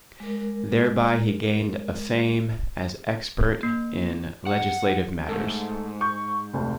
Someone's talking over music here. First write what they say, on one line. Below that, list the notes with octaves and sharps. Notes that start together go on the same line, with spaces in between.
Thereby he gained a fame as expert in legislative matters.
G#3 A#4
A#3
F#5
G#2 A3 A4
C#6 G6
F1 D2